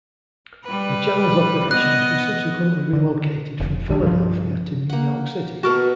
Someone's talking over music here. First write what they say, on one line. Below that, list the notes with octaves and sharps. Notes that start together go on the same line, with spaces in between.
The channel's operations were subsequently relocated from Philadelphia to New York City.
G3 B4
B3 D#5 F#6
D3
F1
B1 D#3 C#4 D4
G2 F3
A#3 F#5
B2 F#4 A4 A#4 A5